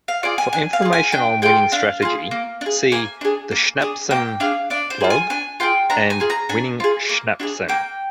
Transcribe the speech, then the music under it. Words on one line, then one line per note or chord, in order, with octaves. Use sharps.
For information on winning strategy, see "The Schnapsen Log" and "Winning Schnapsen".
F5
F4 G#4 D5
G#5
D4 G#5
F5
F4 G#4
G#5
D4 G5
F4 G#4 G5
D4 F5
F4 G#4
A#3
D4
G#4
A#3 G#5
D4 G#4
A#3
D4 G#4
A#3 G5
D4 G#4 F5
D4 D5
C5
F4 G#4
G#5
D4 G#5
F4 G#4 G5
D4 A#5
G#5
F4 G#4
A#5
D4 G#5
F4 G#4
A#3
D4 F4 G#4
A#3 G5